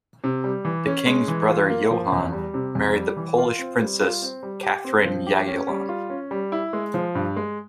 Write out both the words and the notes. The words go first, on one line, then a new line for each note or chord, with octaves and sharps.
The King's brother Johan married the Polish princess Catherine Jagiellon.
C3
G3
E3
C#4
G#3
E3
F4
A#3
F3
E2
G3
C3
F2
G3
E3
F4
C4
G3
F4
C4
G3
G4
C4
F3
G4
C#4
G3
F4
C#4
G3
E4
G#3
F3
G2
G#3